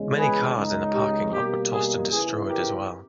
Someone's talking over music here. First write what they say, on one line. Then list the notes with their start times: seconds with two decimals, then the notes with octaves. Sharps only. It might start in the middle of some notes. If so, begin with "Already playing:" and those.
Many cars in the parking lot were tossed and destroyed as well.
Already playing: E2 C#3 G#3
0.15 G#4 B4
0.54 C#2 C#3 G#3 D#4
0.93 G4
1.32 B2 G3 A#3 D#4 G4
1.71 G#4
2.10 E2 C#3 E3 G#4
2.49 G4 A#4